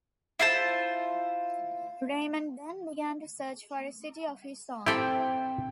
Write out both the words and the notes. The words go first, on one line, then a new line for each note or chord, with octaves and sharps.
Raymond then began to search for a city of his own.
E4 F4 C5 A5
C4 E4 G4 A4 G5 C6